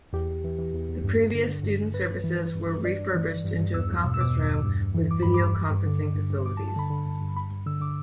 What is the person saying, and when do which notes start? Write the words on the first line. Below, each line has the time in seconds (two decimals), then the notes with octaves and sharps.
The previous Student Services were refurbished into a Conference room with video conferencing facilities.
0.13 E2 G4
0.28 E2
0.44 E3
0.59 E3
0.73 E2
0.89 E2
1.04 G2
1.18 G2
1.34 D3
1.48 D3
1.63 G2
1.78 G2
1.94 G2 B4
2.09 G2
2.24 E3
2.39 E3
2.55 G2
2.70 G2
2.84 G2 D5
2.99 G2
3.14 E3
3.30 E3
3.44 G2
3.60 G2
3.74 E2 E6
3.90 E2
4.04 B2
4.14 E6
4.20 B2 D6
4.35 E2
4.50 E2
4.65 G2
4.80 G2
4.94 E3
5.11 E3 D6
5.23 G2 B5
5.34 D6
5.41 G2
5.55 G2
5.71 G2
5.86 D3
6.00 D3
6.15 G2
6.30 G2
6.45 G2 D6
6.57 A5
6.60 G2
6.68 A5
6.76 D3 B5
6.90 D3
7.06 G2
7.21 G2
7.36 G2 B5
7.51 G2
7.66 D3 E6
7.80 D3 D6